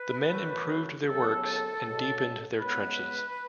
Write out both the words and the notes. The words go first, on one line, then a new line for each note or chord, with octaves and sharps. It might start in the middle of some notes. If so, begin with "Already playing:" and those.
The men improved their works and deepened their trenches.
Already playing: B4
F#2 E3 A3
D#2 C#3 F#3 B3 A4
C#2 B2 F#3
C#2 C#3 G#3 B3 B4